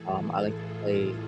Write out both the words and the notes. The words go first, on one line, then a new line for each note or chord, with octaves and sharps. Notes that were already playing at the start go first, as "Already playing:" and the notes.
um, I like to play,
Already playing: A2 E3 G#4 A4
F4